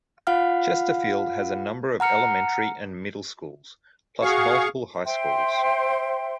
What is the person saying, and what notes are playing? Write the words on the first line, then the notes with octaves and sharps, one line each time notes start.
Chesterfield has a number of elementrary and middle schools, plus multiple high schools.
F4 F5 F#5 F6
F#5 A#5 F6 C#7
F#4 G#4 F5 C#6
C5 E5 G5 C6